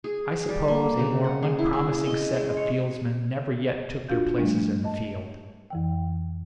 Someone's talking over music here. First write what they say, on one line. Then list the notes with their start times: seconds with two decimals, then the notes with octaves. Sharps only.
I suppose a more unpromising set of fieldsmen never yet took their places in the field.
0.04 G#4
0.49 G3
0.68 A#3
0.99 C#3
1.24 F#5
1.43 G#4
1.59 E4
1.73 G#4
2.06 D#5
2.36 G#3
2.57 C#5
4.09 D4 F4 F#4 F5 G6
4.38 F3 G3 A3 D4
4.84 D#5 A5
5.70 F2 E3 G5